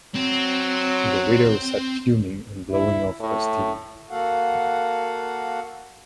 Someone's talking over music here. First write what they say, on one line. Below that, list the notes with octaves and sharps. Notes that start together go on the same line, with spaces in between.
The widow sat fuming and blowing off her steam.
F#3 C4
E4
A2
A#3 F#4 A4 F5 F#5